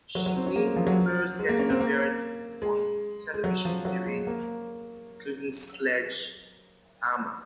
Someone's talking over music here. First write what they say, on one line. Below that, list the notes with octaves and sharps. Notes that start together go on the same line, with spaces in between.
She made numerous guest appearances on television series, including Sledge Hammer!
F#3
F#3
C4
C#4
A#3
G#3
F3
F#3
G#3
A#3
C#4
C4
A#3
G#3
G#3
F#3
F3
F#3
G#3
A#3